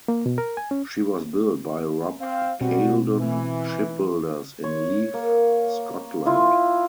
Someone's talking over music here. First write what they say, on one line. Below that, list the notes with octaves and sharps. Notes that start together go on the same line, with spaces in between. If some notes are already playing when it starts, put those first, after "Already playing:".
She was built by Robb Caledon Shipbuilders in Leith, Scotland.
A#3
B2
A#4
G#5
C#4
C4 F5
B2 G3 C4 F#4
E3
C#5
A#3
E4 F4